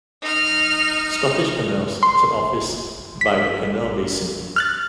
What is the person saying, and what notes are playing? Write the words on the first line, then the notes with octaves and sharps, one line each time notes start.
Scottish Canals has an office by the canal basin.
D#4 F6
C6
B6
F6 F#6 A6